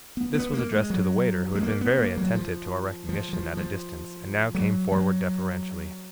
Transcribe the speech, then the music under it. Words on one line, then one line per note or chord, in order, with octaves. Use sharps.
This was addressed to the waiter, who had been very attentive to our recognition, at a distance, and now came forward deferentially.
B3
B3
A#3
G#3
F#3
G#3
A#3
B3
A#3
F#3
F3
F3
F3
F3
F#3
F#3